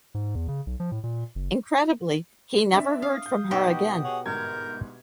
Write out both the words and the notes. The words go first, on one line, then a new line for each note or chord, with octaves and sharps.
Incredibly, he never heard from her again.
G#2
E2
C#3
B1
F3
A2
A#2
F#1
C4 D4 E5
F5 D#6
G6
B2 D#4 F#4 G4
G#4 C#5 F#5
G1 G#2 A#4 G6 G#6